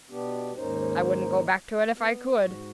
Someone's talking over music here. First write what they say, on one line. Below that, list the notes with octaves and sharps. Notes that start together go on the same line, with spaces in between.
I wouldn't go back to it if I could.
B2 B3 D4 G4
D#2 G#2 A#3 C#4 D#4 C5
B3
G#2 F#4